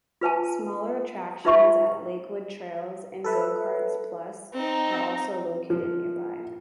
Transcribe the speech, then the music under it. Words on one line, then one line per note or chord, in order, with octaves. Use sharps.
Smaller attractions at Lakewood Trails and Go-Karts Plus are also located nearby.
F4 B4 G#5 A5
D#4 F4 B4 E5 B5 C#6
A4 B4 E5
C4 D#4
F3